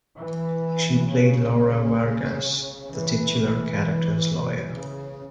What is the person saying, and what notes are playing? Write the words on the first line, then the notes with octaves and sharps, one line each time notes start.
She played Laura Vargas, the titular character's lawyer.
E3
C#3
E3
C#3